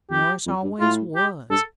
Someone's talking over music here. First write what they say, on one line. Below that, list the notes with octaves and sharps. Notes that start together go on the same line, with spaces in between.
Morris always was.
F2 G4
F2
G2
A2 F4
G4
G2 A4